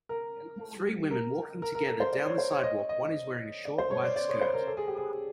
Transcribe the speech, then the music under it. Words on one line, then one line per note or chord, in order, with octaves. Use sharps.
Three women walking together down the sidewalk, one is wearing a short white skirt.
A#4
A#4
A#4
A#4
A4
C5
D5
C#5
C5
C#5
D#5
D#5
D5
C5
C#5
D5
D5
C#5
C5
A#4
A4
G#4
G4
G#4